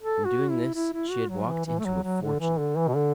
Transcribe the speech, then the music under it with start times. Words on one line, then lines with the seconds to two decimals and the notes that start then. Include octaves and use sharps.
In doing this she had walked into a fortune.
0.01 A4
0.25 F#4
0.50 E4
0.74 E4
0.93 E4
1.11 F#4
1.29 F#3
1.48 E3
1.66 E3
1.79 A3
1.85 F#3
2.03 F#3
2.22 D3
2.40 E3
2.59 D3
2.77 E3
2.88 B2
2.96 D3